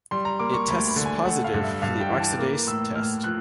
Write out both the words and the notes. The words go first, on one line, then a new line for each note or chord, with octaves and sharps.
It tests positive for the oxidase test.
G3 C6
A#5
A#3 D6
C#6
D2 B5
B5
D3
G#5
A3 F#5
F5
G2
E5
G2 F5
G5
E3
A5
A#3 D6
A2 E6
A2 F6
F3 F#6